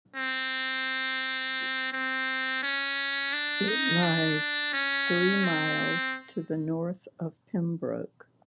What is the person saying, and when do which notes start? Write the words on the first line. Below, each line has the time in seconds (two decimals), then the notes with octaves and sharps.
It lies three miles to the north of Pembroke.
0.16 C4
1.92 C4
2.63 C#4
3.33 D4
3.68 D#4
4.03 D4
4.73 C#4
5.44 C4